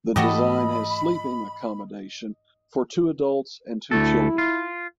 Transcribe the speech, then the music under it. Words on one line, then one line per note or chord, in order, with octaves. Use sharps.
The design has sleeping accommodation for two adults and two children.
G#2 E3 A3 F#4 G4 A4 D#5 B5
D2 A3 E4 A4
F4